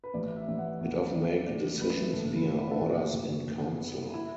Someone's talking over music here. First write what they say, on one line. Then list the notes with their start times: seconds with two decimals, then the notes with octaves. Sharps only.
It often make decisions via Orders in Council.
0.04 B4
0.14 A1 D5
0.36 E5
0.48 A1
0.58 F#5
0.81 E2
1.13 E2 D5
1.47 A1 D5
1.81 A1 B4
2.13 F#1 A4
2.36 B4
2.46 A3
2.58 B4
2.71 A4
2.81 F#1 F#4
3.13 F#1
3.47 F#1
3.80 B3
4.14 E4